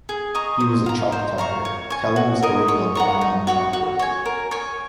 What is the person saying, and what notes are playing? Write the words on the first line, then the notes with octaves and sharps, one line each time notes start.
He was a 'chalk talker', telling the story while drawing on the chalk board.
G#4
D#5 A#5 C#6
C5
F5 A#5
C5
F5 A#5 C#6
C#5
G#5 C#6
F#4
A#4 D#5
C#5
F#5 A#5 C#6
D#4
F#4 C#5 F#5
F#4
C#5 G#5
A#4
C#5 G#5